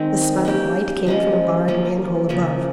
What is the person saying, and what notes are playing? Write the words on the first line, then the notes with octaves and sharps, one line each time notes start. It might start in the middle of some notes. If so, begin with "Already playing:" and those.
The spot of light came from a barred man-hole above.
Already playing: D#3 G#3 C4
A#3 C#4 G4
F3 G#3 C#4
F3 A#3 C#4
C#3 F3 A#3